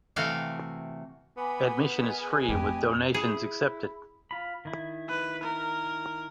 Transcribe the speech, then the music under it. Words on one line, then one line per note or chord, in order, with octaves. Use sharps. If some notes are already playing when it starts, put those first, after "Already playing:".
Admission is free, with donations accepted.
C3 E3 A3 F#4 F5 G5
B3 G#5 B5 D6
G#4 A#4 B4 D#5 G#5
F2 A3 G4
E4 G#4
F4 B5
D#3 E4
B4
A#4